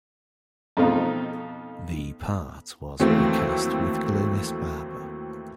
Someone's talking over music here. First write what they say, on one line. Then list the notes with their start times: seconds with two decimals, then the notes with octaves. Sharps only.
The part was re-cast with Glynis Barber.
0.77 F2 B2 A3 C4 D#4 F4
3.00 D#2 E3 F#3 A3 C4